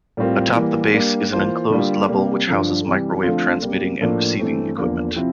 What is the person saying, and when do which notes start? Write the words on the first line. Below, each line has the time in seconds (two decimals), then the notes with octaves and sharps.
Atop the base is an enclosed level which houses microwave transmitting and receiving equipment.
0.17 A2 G3 C4 F4 A#4
0.55 E3 G3 A#3
0.93 G3 A#3 D4
1.33 E3 A#3 F4 C5
1.70 D3 G3 A#3 F4
2.08 C3 G3 A#3
2.47 G2 D3 F3
2.85 C3 E3 G3
3.23 D3 F3 A3 C4 F4
3.62 C3 G3 A#3
4.01 A2 F3 A#3 D4 A4
4.39 G2 E3 A3 C4
4.77 E2 D3 F3 A#3
5.16 C3 F3 C4 E4